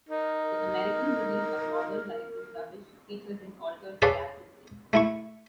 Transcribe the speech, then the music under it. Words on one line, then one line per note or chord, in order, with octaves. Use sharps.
The American release of "Modern Life Is Rubbish" features an altered track listing.
D#4 A#4
G#4 A4 B4 C#5 D5 F5
A3 E4 C#6